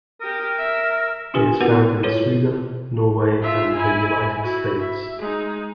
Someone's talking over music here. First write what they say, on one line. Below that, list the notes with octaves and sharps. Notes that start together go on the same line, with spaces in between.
It is found in Sweden, Norway, and the United States.
G4 A#4 D#6
E5
D4 F4 G4 B4 G#5
B3 E4 F#4 A#4 B4 F#5
E4 F4 A4 B4 C#5
F4 E5
E4 G#5
E4 F#4
E5
G#3 D#4